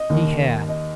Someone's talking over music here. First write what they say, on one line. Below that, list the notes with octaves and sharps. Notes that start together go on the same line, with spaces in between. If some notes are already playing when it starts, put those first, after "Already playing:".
He had.
Already playing: D#5
D#2 D#3
D#5